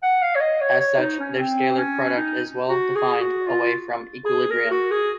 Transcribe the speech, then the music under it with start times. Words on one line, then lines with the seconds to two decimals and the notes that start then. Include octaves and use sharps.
As such, their scalar product is well-defined away from equilibrium.
0.03 F#5
0.22 F5
0.35 C#5
0.40 D#5
0.61 C#5
0.80 C#5
0.99 D#4
1.20 C#4
1.39 C4
1.78 C#4
2.17 D#4
2.69 F#4
2.95 G#4
3.20 F#4
3.47 F4
4.25 G#4
4.51 A#4
4.70 F#4
4.91 G#4